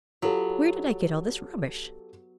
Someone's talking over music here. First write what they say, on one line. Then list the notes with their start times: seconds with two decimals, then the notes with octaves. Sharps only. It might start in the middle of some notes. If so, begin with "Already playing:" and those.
Where did I get all this rubbish?
0.22 F#3 B3 F4 G4 A4